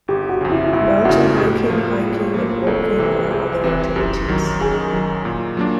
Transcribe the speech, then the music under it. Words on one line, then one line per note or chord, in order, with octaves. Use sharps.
Mountain biking, hiking, and walking are other activities.
G1 G4
F#4
F2 C#3
E4
G1 E4
F2 C#3 F#4
A2 G4
F3 A#3
A2 G#4
F3 A#3
G#4
C2 A4
C3 E3
C2 G#4
C3 E3
F#2 G4
D#3 F#3
F#2 G#4
D#3 F#3
A#2
F#3 A#3 D4